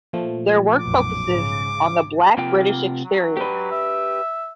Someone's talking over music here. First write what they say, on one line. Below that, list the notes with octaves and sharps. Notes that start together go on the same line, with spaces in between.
Their work focuses on the Black British experience.
A#2 F3 A3
B1 F#2 B2 D6
G#2 C#3
C3 A#3 F4 G5
F#3
G4 B4
E5